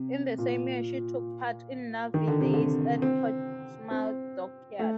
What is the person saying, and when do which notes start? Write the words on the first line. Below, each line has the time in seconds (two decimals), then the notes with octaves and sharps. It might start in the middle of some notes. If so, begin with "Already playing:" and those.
In the same year she took part in Navy Days at Portsmouth Dockyard.
Already playing: C3
0.38 A#2
2.14 D#3
2.27 D3
2.40 C3
2.54 D3
3.02 C4
3.91 C4
4.79 A3